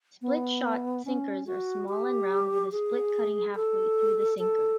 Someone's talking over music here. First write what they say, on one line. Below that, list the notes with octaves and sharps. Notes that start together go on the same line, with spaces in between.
Split-shot sinkers are small and round with a split cutting halfway through the sinker.
B3
C#4
F#4
G4
G#4
A4
A4